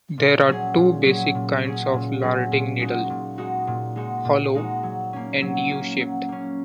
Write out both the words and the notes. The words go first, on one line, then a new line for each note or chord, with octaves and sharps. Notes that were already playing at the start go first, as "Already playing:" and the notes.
There are two basic kinds of larding needle, hollow and U-shaped.
A#2
F#3 C#4 G#4
A#2
F#3 C#4 G#4
A#2
F#3 C#4 G#4
A#2
F#3 C#4 G#4
A#2
G#3 D#4 F#4
A#2
G#3 D#4 F#4
A#2
G#3 D#4 F#4
A#2
G#3 D#4 F#4
F#3
A#3 C#4
F#3
A#3 C#4
F#3
A#3 C#4